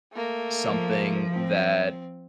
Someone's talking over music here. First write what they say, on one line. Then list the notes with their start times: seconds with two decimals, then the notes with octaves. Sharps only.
something that
0.13 A3 A#3
0.64 F3
1.34 C4